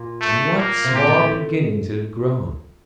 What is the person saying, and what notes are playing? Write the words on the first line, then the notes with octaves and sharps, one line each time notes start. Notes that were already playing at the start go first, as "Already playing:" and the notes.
From what small beginnings it had grown!
Already playing: A#2
A3
A#3
C3
A#2 G4
A#2
A2